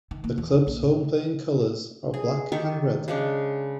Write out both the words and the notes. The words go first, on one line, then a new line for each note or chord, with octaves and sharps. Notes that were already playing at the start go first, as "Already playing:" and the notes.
The club's home playing colours are black and red.
D#3
A#3
E2
D#3
A#1
A2
G#4
D#3 G4 A4 C#6
C#3 G#3 D4